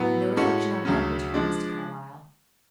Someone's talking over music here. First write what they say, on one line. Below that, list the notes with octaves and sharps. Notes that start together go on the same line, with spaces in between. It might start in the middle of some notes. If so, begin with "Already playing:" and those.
"No reflection on them," returned Mr. Carlyle.
Already playing: A2 F#3 B3
A2 G#3 C#4 F#4 A4
D2 C#3 F#3 C#4
F3 G#3 D4